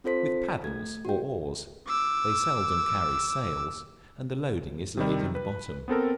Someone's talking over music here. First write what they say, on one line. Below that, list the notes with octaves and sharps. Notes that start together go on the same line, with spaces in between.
With paddles, or oars; they seldom carry sails, and the loading is laid in the bottom.
C4 F4 A4 C5 B6
A3 G#6
F#4 G5
D6 E6
C3 D#3 G3
B4
B3 C4 A4 A#4